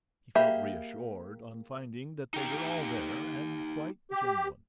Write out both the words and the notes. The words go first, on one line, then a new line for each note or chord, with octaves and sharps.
He felt reassured on finding that they were all there and quite genuine.
A#3 G4 G#4 E5 B5
D#4 G4 A#5
G4